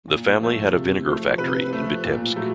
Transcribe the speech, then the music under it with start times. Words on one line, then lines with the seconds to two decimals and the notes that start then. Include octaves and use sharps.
The family had a vinegar factory in Vitebsk.
0.08 A#2
0.41 F3 A3
0.73 C3
1.06 F3 A3
1.38 C3 B4
1.71 F3 A3
2.05 A#2
2.36 F#3 A3